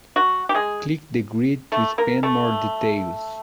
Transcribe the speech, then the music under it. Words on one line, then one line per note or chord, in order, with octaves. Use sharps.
Click the grid to expand more details.
F#3 F#4
G4
G#3 G#4
A3 A4
A#3 A#4
A3 A4